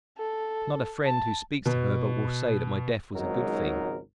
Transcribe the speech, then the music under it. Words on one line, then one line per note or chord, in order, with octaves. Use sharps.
Not a friend who speaks to her but will say that my death was a good thing.
A4
A5
B2
G#1 C#2 G#2 F#3 D#4 A#4